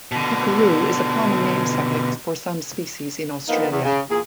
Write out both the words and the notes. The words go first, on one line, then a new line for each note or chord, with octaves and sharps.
Tuckeroo is a common name suffix for some species in Australia.
B2 D3
D3 D#3 F3 A#3 B3 D#4
E2
C#3
E2 A#2 F4 G#4